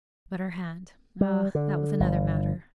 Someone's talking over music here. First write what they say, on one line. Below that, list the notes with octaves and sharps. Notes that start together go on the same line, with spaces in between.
But her hand--ah, that was another matter.
G3
D3
G1